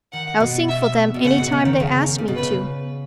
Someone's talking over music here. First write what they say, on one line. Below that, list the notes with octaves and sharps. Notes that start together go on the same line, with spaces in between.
I'll sing for them any time they ask me to.
D#3 F#5
B2
E5
B2
C#3 F#5
B2
C#3
D#3
C#3
D#3
C#3
B2
C#3 B4